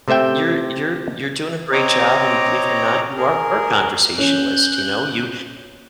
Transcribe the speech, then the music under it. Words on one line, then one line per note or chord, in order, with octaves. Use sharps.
you're you're you're doing a great job, and believe it or not, you are a conversationalist, you know? You
C3 A3 C5 E5 G5
C4 C#5 D#5 A#5 D6
G#4 A#4
C#4 F#6 G6